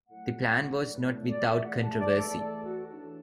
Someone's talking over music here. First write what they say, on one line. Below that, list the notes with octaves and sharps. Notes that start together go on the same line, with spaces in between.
The plan was not without controversy.
A2 F#3 A3 F#5
A2 F#3 A3 D5
B4
A4
D5
E2 E3 A3 E5
F#5
F#5
A5
D5
E2 E3 A3 A4
A4
F#4
A2 E3 D4 A4